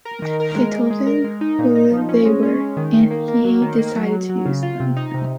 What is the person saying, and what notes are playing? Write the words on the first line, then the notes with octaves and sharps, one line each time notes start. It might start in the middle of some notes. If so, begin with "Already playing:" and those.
They told him who they were, and he decided to use them.
A#4
D#3
A#4
G#3
G#3
G#3
A#4
G#3
D#4
A#2
D#4
F3
C#4
G#3
C#4
G#3
D#3
D#3
A#3
A#3
F#3
D#3
A#3
F#3
F#3
F#3
C#3
F4
C3
D#4
C3